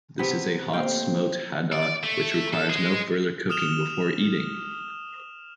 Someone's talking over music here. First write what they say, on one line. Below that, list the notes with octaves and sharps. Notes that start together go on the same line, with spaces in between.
This is a hot-smoked haddock which requires no further cooking before eating.
C3 B3 B4
A3 A#3 C4 C5 F5 G5
D5
A3
A4
G#3
D#6 F6 E7 F7 G7